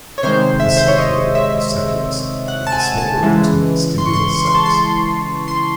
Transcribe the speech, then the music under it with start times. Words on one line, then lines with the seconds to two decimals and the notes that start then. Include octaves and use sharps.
The saccule, or sacculus, is the smaller of the two vestibular sacs.
0.18 C#5
0.23 C3 D#3 G#3 C5
0.60 E5
0.77 C5
0.88 C#5
0.98 D#5
1.35 E5
2.48 F#5
2.67 A5
2.72 G#5
2.98 A5
3.23 C#3 E3 G#3
3.98 C6
4.06 C#6
4.14 C6
4.35 C#6
4.46 C6
4.55 A5
4.66 C6
5.48 C6